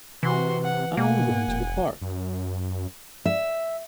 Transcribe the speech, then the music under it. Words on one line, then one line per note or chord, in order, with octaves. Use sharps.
I am going to the Park.
C3 E3 F#4 C6
F#5
B2 A#3 F#5 G#5
F1
F#2
E5